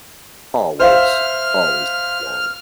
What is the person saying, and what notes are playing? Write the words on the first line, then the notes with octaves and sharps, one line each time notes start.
Always, always exploring.
C5 E5 F5 F6